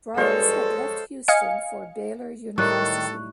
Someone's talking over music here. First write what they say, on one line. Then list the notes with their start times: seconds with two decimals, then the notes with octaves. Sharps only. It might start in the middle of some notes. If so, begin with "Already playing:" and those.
Briles had left Houston for Baylor University.
0.17 G2 G#3 F4 A4 C5 C#5 D#5
1.28 D#5 F5 G#5 C#7
2.58 A2 D#3 G3 D#4 A4 C#6 F#6